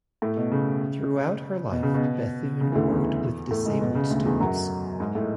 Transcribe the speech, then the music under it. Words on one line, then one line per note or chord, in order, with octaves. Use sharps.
Throughout her life, Bethune worked with disabled students.
A2 A3
B2
C#3
B2
C#3
B2
C#3
E3
D2 D3
E2 E3
A2 A3
G#2 G#3
B2
C#3
D2 D3
E2 E3
F#2 F#3
G#2 G#3
A2 A3